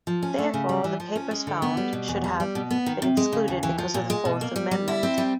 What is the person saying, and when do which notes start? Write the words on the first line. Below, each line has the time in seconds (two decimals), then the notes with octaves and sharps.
Therefore, the papers found should have been excluded because of the Fourth Amendment.
0.07 F3
0.23 C#4
0.38 A3
0.54 C#3
0.69 G3
0.84 E3
1.00 F3
1.16 C#4
1.31 G#3
1.47 D3
1.62 B3
1.77 G3
1.93 B2
2.08 E2
2.24 G3
2.40 G3
2.55 B2
2.71 B3
2.86 D#3
3.02 C3
3.17 G#3
3.33 C#3
3.48 D#2
3.63 E3
3.78 F3
3.94 A#2
4.10 G#3
4.25 B2
4.41 A#3
4.56 G3
4.71 G3
4.88 E4
5.03 C4
5.18 G3